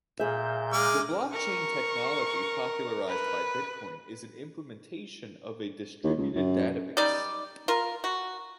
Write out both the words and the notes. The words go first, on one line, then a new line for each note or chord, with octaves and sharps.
The blockchain technology popularised by bitcoin is an implementation of a distributed database.
A#2 G#4 E5 G6
G#3 D6 F6
A#4 C#6
B4
D#2
C#2
F#2
G3 D#4 D5
F4 A#4
F#4